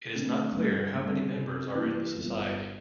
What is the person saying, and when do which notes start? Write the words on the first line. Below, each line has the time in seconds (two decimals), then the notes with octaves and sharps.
It is not clear how many members are in the society.
0.13 D3 A3 C4
0.53 G2
0.94 D3 G3 C4
1.35 C3
1.75 E3
1.81 A#3
2.17 G1